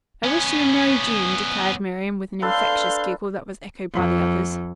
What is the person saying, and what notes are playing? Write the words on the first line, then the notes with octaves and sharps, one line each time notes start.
"I wish you a merry June," declared Miriam with an infectious giggle that was echoed by the others.
B3 C#4
D4 A4 B4 F5 C6 G6
F2